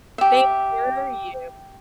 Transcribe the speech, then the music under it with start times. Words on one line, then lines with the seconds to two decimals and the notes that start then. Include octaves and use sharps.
They hear you.
0.18 G4 E5